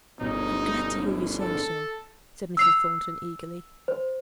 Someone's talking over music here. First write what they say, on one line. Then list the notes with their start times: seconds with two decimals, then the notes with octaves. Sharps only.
'I'm glad to hear you say so,' said Mrs. Thornton, eagerly.
0.21 G1 B2 D#4
1.40 A4
2.57 E6 C7 F7
3.88 C5